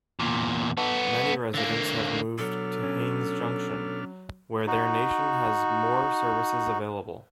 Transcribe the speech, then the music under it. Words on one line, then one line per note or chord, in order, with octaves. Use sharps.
Many residents have moved to Haines Junction, where their nation has more services available.
E2 A#2
B3 A4
D3 A#3
B2 F#3 D4 A4 F6
C#4
D#4 F#4